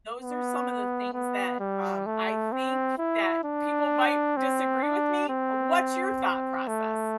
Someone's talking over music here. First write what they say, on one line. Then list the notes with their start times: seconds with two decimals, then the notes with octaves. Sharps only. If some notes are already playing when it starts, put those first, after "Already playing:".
those are some of the things that, um, I think that people might disagree with me. Uh, what's your thought process?
0.21 B3
1.13 B3
1.60 G3
2.06 A3
2.52 C4
2.98 E4
3.44 D4
4.37 C4
4.83 D4
5.29 C4
6.67 A3